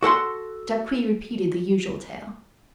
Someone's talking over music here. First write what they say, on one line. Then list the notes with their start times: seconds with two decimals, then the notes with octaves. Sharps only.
Jacques repeated the usual tale.
0.02 F#4 A4 F#5 C6